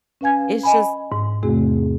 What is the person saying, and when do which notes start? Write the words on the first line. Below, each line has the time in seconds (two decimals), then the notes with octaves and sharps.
It’s just
0.21 C#4 B4 F5 G#5 G#6
0.63 D#5 G#5 B5
1.12 G#2
1.43 E2 C3 A3 C4 F#4 G#4